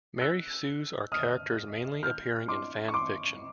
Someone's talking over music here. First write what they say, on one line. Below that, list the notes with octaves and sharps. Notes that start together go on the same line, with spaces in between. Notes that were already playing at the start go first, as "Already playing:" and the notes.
Mary Sues are characters mainly appearing in fan fiction.
E6 F#6
D#6 F6
F6 G6
C6 D6
C#6
C6 D6